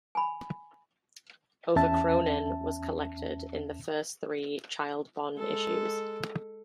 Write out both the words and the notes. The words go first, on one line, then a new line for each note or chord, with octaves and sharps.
Over kronen was collected in the first three "child bond" issues.
G#5 B5
E2 C#4 E5 A5
G#3 A4